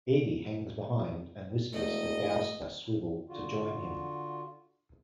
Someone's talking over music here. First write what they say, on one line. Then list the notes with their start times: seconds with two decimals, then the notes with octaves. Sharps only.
Edie hangs behind and whispers for Douster-swivel to join him.
1.73 E1 A3 D#5
3.29 D3 F4 F#4